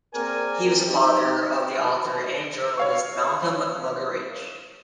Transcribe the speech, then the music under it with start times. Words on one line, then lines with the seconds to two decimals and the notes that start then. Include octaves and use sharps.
He was the father of the author and journalist Malcolm Muggeridge.
0.14 A#3 C4 G#4 A#4 D5 G#5
0.86 C4 D#4 F#4 G4
2.78 C#5 F5 C#6